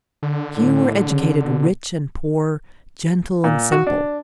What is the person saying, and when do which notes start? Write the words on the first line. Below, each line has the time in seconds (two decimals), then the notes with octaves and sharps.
Here were educated rich and poor, gentle and simple.
0.23 D3
0.57 A2
1.08 C#3
1.44 B2
3.44 A#2
3.72 F#4
3.87 D4